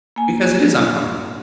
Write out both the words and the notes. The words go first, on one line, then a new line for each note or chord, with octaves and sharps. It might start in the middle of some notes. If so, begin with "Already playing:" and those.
because it is uncomfortable.
A#3 G#5